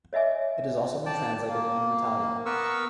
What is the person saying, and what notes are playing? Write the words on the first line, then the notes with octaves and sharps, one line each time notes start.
It has also been translated into Italian.
C#5 D#5 E5 G#5 D6
D5 G5 A5
A#3
B3 A#4 B4 C#6 E6